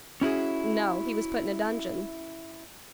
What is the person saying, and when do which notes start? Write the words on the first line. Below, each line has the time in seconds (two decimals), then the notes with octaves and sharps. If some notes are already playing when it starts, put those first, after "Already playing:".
"No; he was put in a dungeon."
0.21 C#4 E4 F#4 G#4